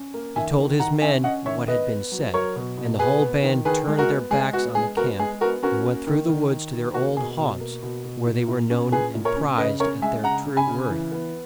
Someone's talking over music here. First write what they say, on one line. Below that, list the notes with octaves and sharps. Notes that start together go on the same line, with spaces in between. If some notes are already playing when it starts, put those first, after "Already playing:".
He told his men what had been said, and the whole band turned their backs on the camp, and went through the woods to their old haunts where they were known and prized at their true worth.
Already playing: C#4
A#3
D#3 E5 G#5
D#3
D#3 F#5 A#5
C#4 E5 G#5
C#4 D#5 F#5
D#3 C#5 E5
B3 B4 D#5
B3
F#3
F#3 A#4 C#5
B2
B2
B3 G#4 B4
B3
D#3
D#3 G#4 B4
G#3
F#4 A#4
B3
G#3 G#4
B3 F#4
G#3 G#4
B3 F#4 A#4
G#3 G#4
B3 F#4 A#4
C#4 F#4 A#4
A#3
D#3
D#3
D#3
D#3
A#3 F#4
B2 G#4
B2
A#3
B2
B2
A#2
A#2
C#4
A#2 G#4 B4
A#2
A#4 C#5
C#4
C#3 B4 D#5
C#4 A#4 C#5
G#3 E5 G#5
C#3 F#5 A#5
C#3
G#5 B5
C#3
E3
B3